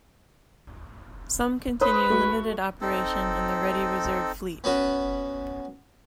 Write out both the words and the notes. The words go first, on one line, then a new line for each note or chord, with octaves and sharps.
Some continue limited operation in the Ready Reserve Fleet.
B4 C5 D#6
A3 F#4
C4 D#4 A4
B3 C#4 F#4 B4